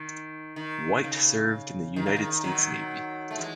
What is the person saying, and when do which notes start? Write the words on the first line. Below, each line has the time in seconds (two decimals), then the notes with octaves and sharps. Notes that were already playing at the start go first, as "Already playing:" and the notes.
White served in the United States Navy.
Already playing: D#3
0.56 D#3
1.04 C#3
1.96 D#3
2.06 C#3
2.16 D#3
2.44 D#3 F#3
3.31 A3
3.37 E3 G#3